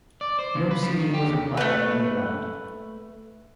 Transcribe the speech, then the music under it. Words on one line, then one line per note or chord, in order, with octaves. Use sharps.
No seeding was applied at any round.
D5
C5
C#3
B4
F3
D#3
G4
D#2
A3 B4